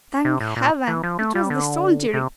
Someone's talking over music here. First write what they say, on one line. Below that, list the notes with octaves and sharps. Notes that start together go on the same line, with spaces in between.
Thank Heaven! it was the soldiery.
C3
A2
A#2
E3
F3
A3
G3
D3
C3